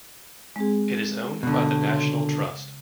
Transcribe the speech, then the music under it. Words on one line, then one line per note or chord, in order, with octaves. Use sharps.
It is owned by the National Trust.
G#3 C4 G#4
B2 D3
C#3 C6